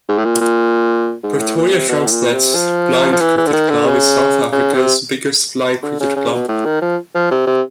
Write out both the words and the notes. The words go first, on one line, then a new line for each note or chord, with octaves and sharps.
Pretoria Transnet Blind Cricket Club is South Africa's biggest blind cricket club.
G#2
A2
A#2
A#2
G#2
A2
A#2
C3
B2
A2
A#2
C3
F3
F3
E3
E3
D3
D#3
D3
C#3
C#3
C3
D3
C#3
C#3
B2
A2
D#3
F3
F3
C3
C3